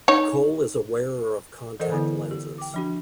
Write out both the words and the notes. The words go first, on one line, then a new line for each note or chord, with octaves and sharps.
Cole is a wearer of contact lenses.
D#4 C#5
E3 A4 A#4 C5 D#5 F#5
D3 B3 E4
G4
G5 D6
F3 D4 F#4